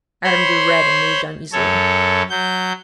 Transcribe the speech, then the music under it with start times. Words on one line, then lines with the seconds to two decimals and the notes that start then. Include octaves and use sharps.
Adam grew red and moved uneasily.
0.24 C5 C#5 B5 C6
1.53 F#2 A4 C#5
2.30 F#3 G6